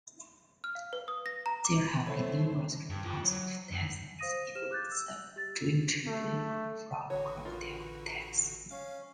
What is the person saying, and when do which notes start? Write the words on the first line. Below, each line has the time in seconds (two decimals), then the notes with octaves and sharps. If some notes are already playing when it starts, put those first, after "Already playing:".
There have been numerous reports of deaths in the Daintree River from crocodile attacks.
0.64 F6
0.75 F5
0.93 B4
1.08 D#6
1.26 A#6
1.46 A#5
1.65 D6
2.06 A3 C5 C#5 E5 B5
2.90 G2
3.04 F4 G5
3.23 F#3
3.72 F#2
4.19 C5 F5 D#6 A#6 D#7
4.55 G4 C5 F6 E7
4.71 D6 F#6 G6 A6
4.92 E6
5.36 G4 A6
6.07 A3
7.10 A1 D3 F#4 B4 C#5
7.45 F4 A#4
8.71 C#4 F5